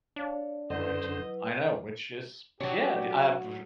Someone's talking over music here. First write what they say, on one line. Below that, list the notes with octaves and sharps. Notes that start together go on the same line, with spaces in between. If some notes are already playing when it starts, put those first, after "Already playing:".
Right. I know, which is, yeah, d I have p
D4 C#5 F5
F#2 D3 F#3 E4 B4 C5 D#5
F#3 D4 F#4 G4 C#5